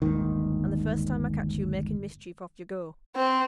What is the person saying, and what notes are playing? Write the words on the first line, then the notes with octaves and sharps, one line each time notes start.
And the first time I catch you making mischief, off you go.
G1 D#2 G#2 D#3
C4